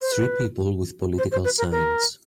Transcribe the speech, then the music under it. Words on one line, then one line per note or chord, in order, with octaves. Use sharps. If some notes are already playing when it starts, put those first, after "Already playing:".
Three people with political signs.
C5
B4
C5
C5
B4
A#4
A#4